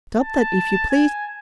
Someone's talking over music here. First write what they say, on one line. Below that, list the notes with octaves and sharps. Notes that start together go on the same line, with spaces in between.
Stop that if you please!
A5
G#5